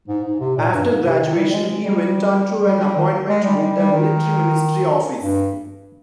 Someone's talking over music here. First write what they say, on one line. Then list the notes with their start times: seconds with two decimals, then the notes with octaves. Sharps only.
After graduation, he went on to an appointment with the Military Ministry Office.
0.09 G#2
0.24 G#2
0.40 C3
0.57 A#2
0.72 G2
0.88 G#2
1.05 C3
1.20 D#3
1.36 G3
1.52 G#3
1.84 G3
2.65 G3
2.80 G3
2.96 D#3
3.29 G#3
3.44 G3
3.61 G3
3.77 G3
3.92 D#3
5.21 G2